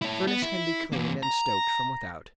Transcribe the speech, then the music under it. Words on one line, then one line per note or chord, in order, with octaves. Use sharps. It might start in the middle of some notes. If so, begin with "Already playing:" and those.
The furnace can be cleaned and stoked from without.
E4 C#5
B3
E4
E3 A#3
A#5